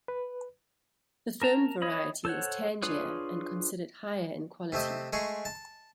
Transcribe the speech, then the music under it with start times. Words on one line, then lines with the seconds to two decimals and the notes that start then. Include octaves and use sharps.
The firm variety is tangier and considered higher in quality.
0.08 B4
1.42 A#4 A5 A#5
1.82 C#5 D#5 B5
2.25 A4 C5 C#5 F#5
2.82 D4 F4 G#4 B4 C#5
4.72 C3 A3 C4 D#5
5.13 G#3 A3 G#4 C6 C#6
5.45 A5